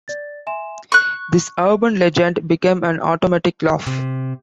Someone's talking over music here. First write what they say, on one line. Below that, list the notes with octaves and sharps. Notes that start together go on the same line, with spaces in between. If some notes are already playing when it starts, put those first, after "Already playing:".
This urban legend became an automatic laugh.
D5 A6
E5 G#5 C6 E7
C#6 F#6
C3